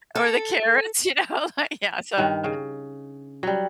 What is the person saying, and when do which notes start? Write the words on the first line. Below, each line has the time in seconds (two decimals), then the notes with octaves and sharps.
or the carrots, you know, like, yeah, so
0.15 A4
2.18 G2 D#3
2.44 C#3
3.43 F#3 G3